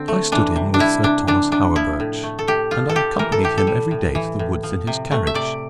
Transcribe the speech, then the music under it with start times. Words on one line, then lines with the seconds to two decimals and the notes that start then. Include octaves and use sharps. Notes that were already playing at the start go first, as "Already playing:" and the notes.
I stood in with Sir Thomas Hawerburch, and I accompanied him every day to the woods in his carriage.
Already playing: D3 C4
0.08 A3
0.32 E3 D4
0.56 C3
0.74 D4
0.79 G3 E4
1.03 C3 D4
1.27 E3 D4
1.52 C3 D4
1.76 F3 E4
2.00 A2
2.23 A3
2.39 A4
2.48 A2 G4
2.71 F3 F4
2.89 A4
2.95 A2 G4
3.19 E3 A#4
3.32 A4
3.43 A2 G4
3.58 A4
3.67 G3
3.91 A2
4.15 E3
4.39 A2
4.63 F3
4.87 C3
5.11 A3
5.27 E5
5.34 C3 D5